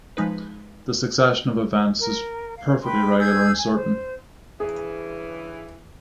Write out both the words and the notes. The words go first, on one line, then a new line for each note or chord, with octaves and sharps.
The succession of events is perfectly regular and certain.
F3 G#3 D#4 B4
A#4
F5
B4 G5 B5 C6
G#4 E6 G6 G#6
G#5
C5
G2 C#3 E3 G#4